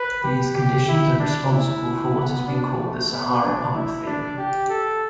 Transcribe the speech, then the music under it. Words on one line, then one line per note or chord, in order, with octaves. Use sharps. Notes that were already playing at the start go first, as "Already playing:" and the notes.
These conditions are responsible for what has been called the Sahara pump theory.
Already playing: B4
G4
G4
E4
D4
E4
B3
D4
A3
B3
D4
E4
D4
G4
A4